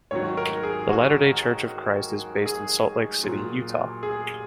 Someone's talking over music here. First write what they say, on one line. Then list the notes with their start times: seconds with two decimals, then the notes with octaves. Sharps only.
The Latter Day Church of Christ is based in Salt Lake City, Utah.
0.11 G#2 D#3 F#3 C#5
0.37 A#4
0.63 G#4
0.89 F#4
2.46 G#4
3.23 A#2 F#3
4.03 G#4